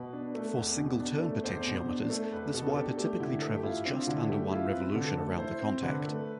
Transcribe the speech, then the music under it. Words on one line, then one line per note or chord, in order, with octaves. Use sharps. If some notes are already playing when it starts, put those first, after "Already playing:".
For single-turn potentiometers, this wiper typically travels just under one revolution around the contact.
Already playing: B2 B4
D4
A3
E2
B2
D4
A3
E2 C5
B2
D4
A3
E2 B4
B2 A4
A4
D4 G4
A3 G4
D3 E4
A3
G4
E4 F4
C4 D4
F4
D3 E4
A3 G4
E4 F4
C4 B4
D3 A4
A3
E4 C5
C4
D3 B4
A3